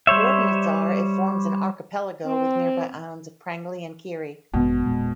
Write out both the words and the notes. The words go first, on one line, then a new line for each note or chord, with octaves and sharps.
Coordinates are It forms an archipelago with nearby islands of Prangli and Keri.
G3 C5 C#5 E5
C4
G#1 F#2 B2 G#3
E1 A#2 G#3